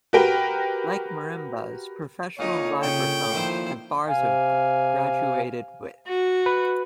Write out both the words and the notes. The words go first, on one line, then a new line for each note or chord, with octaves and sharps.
Like marimbas, professional vibraphones have bars of graduated width.
F#4 G4 A#4 B4 G5
A#2 D3 D#4 F4 C#5
C#3 G5
A#2 D#3 F3 E4 C5
C3 F5 G#5
F#4
B4